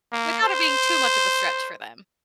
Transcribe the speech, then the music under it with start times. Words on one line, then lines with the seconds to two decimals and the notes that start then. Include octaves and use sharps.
without it being too much of a stretch for them.
0.12 A#3
0.45 C5